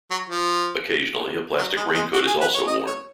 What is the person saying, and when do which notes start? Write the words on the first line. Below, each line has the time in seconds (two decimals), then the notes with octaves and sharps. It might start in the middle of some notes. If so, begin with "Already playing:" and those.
Occasionally a plastic raincoat is also worn.
0.11 F#3
0.29 F3
1.58 F#3
1.77 G#3
1.95 G#3
2.13 F#4
2.27 G#4
2.41 B4
2.55 C#5
2.68 D#5
2.87 C#5